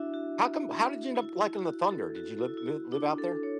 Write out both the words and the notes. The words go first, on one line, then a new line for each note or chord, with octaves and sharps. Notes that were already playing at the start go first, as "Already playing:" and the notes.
how come how did you end up liking the Thunder? Did you live live live out there?
Already playing: D4 E4 F#4 E5
F#4
E4
E4
F#4
A4
F#4
E4
E4
F#4
D4
A4
C#5